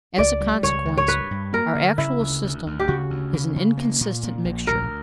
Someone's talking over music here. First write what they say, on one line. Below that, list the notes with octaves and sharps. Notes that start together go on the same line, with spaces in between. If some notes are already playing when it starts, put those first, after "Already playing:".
As a consequence, our actual system is an inconsistent mixture.
C#2 D5
G3
C#2 C#5
C#2
C#5
G2 B4
G2
A#3 A#4
D3
C#3 E4
D2
D2
D2
G4
C#3 F#4
D2
C#3
C#3
A#3
A#2
A#2
A#1
D2 A#4